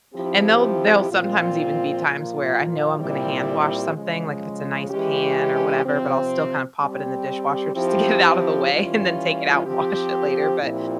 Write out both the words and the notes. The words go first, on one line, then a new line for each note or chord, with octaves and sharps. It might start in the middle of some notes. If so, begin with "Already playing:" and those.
and they'll they'll sometimes even be times where I know I'm gonna hand wash something, like if it's a nice pan or whatever, but I'll still kinda pop it in the dishwasher just to get it out of the way and then take it out and wash it later but,
F3 C4 E4 G4
A#2 F3 C4 F4
A#2 F3 A#3 F4
A#2 G3 C4 E4 G4
C#3 F3 G#3
E3 G#3 C#4 G4
C3 F3 C4
G3 C4 G4
F3 C4 E4 G4
E3 G3 C#4 F4
F3 C4 G4
A#2 F3 C4 E4 G4